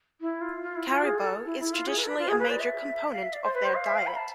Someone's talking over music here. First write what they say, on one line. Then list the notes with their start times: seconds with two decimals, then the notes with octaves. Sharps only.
Caribou is traditionally a major component of their diet.
0.21 E4
0.41 F4
0.62 F4
0.76 E4
0.90 F4
1.04 G#4
1.17 A4
1.45 E4
1.60 E4
1.73 F4
1.87 G#4
1.97 B4
2.04 A4
2.08 B4
2.19 F4
2.28 G#4
2.39 B4
2.50 D5
2.59 E5
3.12 F5
3.23 E5
3.33 D5
3.44 C5
3.54 B4
3.64 C5
3.75 F5
3.85 E5
3.96 F5
4.07 B5
4.17 A5